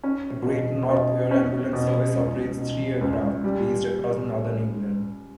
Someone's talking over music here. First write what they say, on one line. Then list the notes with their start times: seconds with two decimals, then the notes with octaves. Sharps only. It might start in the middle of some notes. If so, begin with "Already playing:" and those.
The Great North Air Ambulance Service operates three aircraft, based across northern England.
0.04 C#4
0.47 B2
0.89 B2
1.31 C#4
1.73 B2
2.16 C#2
2.58 B2
3.01 C#2
3.44 G3